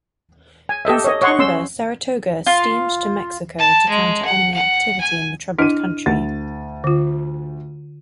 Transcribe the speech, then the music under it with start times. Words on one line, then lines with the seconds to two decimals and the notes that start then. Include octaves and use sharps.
In September, "Saratoga" steamed to Mexico to counter enemy activity in the troubled country.
0.69 G#5
0.85 G4 A4 D#5 E5
1.04 C#5 D#5
1.22 C#5 D#5 F#5 C6 C#6
1.39 C#4 C6 E6
2.46 F4
3.59 A5
3.90 G#3
4.25 F#5
4.55 F#5
5.01 G#5
5.58 D4 E4 D#5 F6 D#7
6.06 D2 A6
6.84 D3 F4